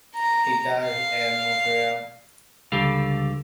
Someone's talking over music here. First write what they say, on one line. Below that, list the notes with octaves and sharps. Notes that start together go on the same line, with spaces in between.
He died at Montreal.
A#5
F5
C#2 D3 G3 G4 A4 F5